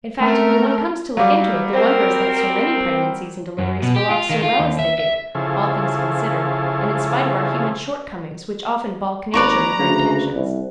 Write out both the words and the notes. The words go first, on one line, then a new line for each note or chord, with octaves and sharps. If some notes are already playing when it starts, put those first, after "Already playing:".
In fact when one comes to look into it the wonder is that so many pregnancies and deliveries go off so well as they do, all things considered and in spite of our human shortcomings which often baulk nature in her intentions.
G#3 A3 C4 C#4 A#4
F#3 G3 F5 D6
C4 A#4 C5
F#2
B2
G4
F4
D#3
F4
D#2
E5
E5
C#3 F3 E4 G#4 A4 C5
G#1 D#2 B4 D5 A#5 C#6
D2 C#3
C2